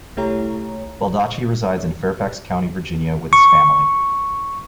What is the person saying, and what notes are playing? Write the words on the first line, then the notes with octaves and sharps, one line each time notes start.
Baldacci resides in Fairfax County, Virginia, with his family.
C2 A3 E4 G4 C#5 A#5
C#6